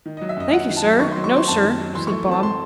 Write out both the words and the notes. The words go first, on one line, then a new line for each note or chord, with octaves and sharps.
'Thankee sir, no sir,' said Bob.
D#3
D#5
F#3
E5
F#2 D#5
F#2 F#5
D#3
A5
F#3
D#3 C#6
C6
F#3
C#6
C4 C6
F#2 A5
D#3
F#3
E3 C6
C#6
A3
C4 A5
C6